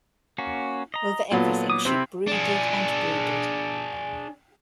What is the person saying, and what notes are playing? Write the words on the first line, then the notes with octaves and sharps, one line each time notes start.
Over everything she brooded and brooded.
A#3 C#4 F#4
D#5 A#5
A#2 F#3 B3 F4 A4
D6 D#6
C3 C4 E4
D4 G#4